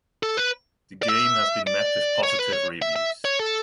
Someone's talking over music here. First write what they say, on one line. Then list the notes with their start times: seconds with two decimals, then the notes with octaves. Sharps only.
The game has been met with positive reviews.
0.23 A4
0.37 B4
1.03 D5
1.08 E5
1.67 D5
2.23 C#5
2.39 B4
2.52 C#5
2.82 E5
2.96 E5
3.25 C#5
3.39 A4